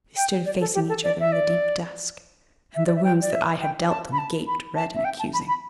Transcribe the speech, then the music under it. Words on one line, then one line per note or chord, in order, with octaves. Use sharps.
They stood facing each other in the deep dusk, and the wounds that I had dealt them gaped red and accusing.
G5
D5
A4
G4
A4
D5
E5
D5
E5
D5
E5
G5
D5
E5
G5
A5
B5
A5
B5
A5
E5
G5
A5
B5
B5